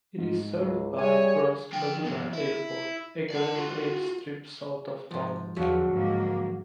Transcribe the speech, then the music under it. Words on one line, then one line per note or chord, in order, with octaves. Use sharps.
It is served by Brus Laguna Airport, a gravel airstrip south of town.
G#2
C#2
G3 G#4 C#5 E5 G#5
F3 G5
F3 B3
E4
D5 F#5
F4 F#4
G#2 F3
E2 D3 F3 F#3 F#4 F#5
G#2 A#3